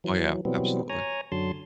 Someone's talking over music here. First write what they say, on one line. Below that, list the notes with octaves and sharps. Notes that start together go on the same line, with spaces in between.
Oh yeah, absolutely.
E3 F#3
B2 E3 F#3 G3 B3 C4
C#5 G#5 A#5
F#2 D3 F#3 A5 C6